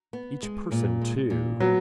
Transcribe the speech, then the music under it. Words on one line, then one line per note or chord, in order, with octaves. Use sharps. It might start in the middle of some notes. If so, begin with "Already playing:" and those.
Each person too.
B3
G#3
A#2
G#3
A#2
F#3 B3